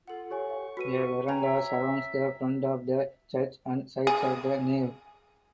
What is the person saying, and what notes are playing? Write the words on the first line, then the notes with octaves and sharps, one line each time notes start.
A veranda surrounds the front of the church and sides of the nave.
F4 A4 F#5
G4 C#5 G#5 C#6
F#4 B4 B6 D#7
C#4 C#5 G5 A#5
E5
G#4